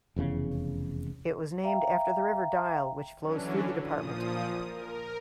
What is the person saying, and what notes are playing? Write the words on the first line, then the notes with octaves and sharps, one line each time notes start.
It was named after the river Dyle, which flows through the department.
F1 E2 G#2 C#3
E5 F5 G5 A#5
D3 E3 F#3 C#4 D4
A#2 F3 D#6
A#4